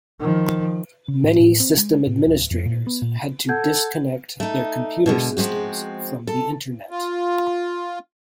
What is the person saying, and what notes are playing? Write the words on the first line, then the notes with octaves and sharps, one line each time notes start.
Many system administrators had to disconnect their computer systems from the Internet.
D#3 F3
C#3
A2
A2
C4
G#3
A2
D1
F2
A#2
B3
A#2
A4 F#5 G6 G#6
A3 D#4
B2 D3 G#3
F3 G#3 C4 F#4
A4
F4